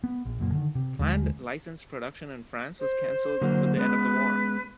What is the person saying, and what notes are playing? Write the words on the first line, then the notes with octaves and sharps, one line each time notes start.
Planned licensed production in France was cancelled with the end of the war.
B3
A#1
F#1 F#2 A#2
D3 D#3
C3
D#2 D3 D#3 G#3
C5
D3 F#3 A#3
G#3 B3 C#4 B4